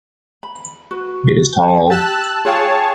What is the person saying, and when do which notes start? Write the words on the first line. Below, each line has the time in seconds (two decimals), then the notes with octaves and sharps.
It is tall.
0.43 B5
0.91 F#4 B4
1.90 G4 A5 E6 F#6
2.45 F4 G#4 C#5 F5 G5 A5